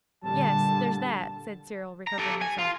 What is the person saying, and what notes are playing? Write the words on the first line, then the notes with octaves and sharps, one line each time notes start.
'Yes, there's that,' said Cyril, recovering himself.
A#2 D3 G3 A5
A#5
G4 A4
G#5
F4